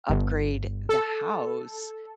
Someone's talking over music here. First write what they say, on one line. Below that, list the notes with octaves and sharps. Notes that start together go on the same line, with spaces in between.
upgrade the house,
G1
A4